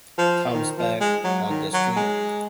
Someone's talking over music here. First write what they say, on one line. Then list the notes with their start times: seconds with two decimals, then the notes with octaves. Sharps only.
Tom's back on the street.
0.18 F3
0.54 D#3
0.78 F3
1.00 G#3
1.24 F#3
1.49 D#3
1.73 F#3
1.96 G#3